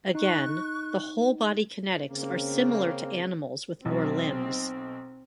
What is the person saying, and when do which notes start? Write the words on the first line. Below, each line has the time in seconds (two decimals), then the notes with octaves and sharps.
Again, the whole-body kinetics are similar to animals with more limbs.
0.15 D#4 C#6 F#6
2.10 C#3 A#3 C4
3.85 B1 F#3 C4